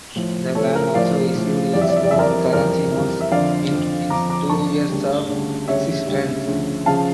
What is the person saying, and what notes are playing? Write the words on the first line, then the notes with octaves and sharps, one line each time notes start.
The bank also issued its own currency notes in its two years of existence.
A2 F3
A2 F3 A4 C#5
A#4
A2 F3 D5 F5
A2 F3
F2 E3 G3 D5
E5
D5
E5
D5
F2 E3 G3 E5
A#4 D5
F2 E3 G3 A#4 D5
F2 E3 G3
E5
F2 D3 F3 D5 F5
F2 D3 F3
F2 D3 F3 A#5 D6
A#5 D6
F2 D3 F3 A5 C#6
D2 C#3 G3
D2 C#3 G3
D2 C#3 G3 C#5 E5
D2 C#3 G3
D2 C#3 F3
C#3 F3 F5 A5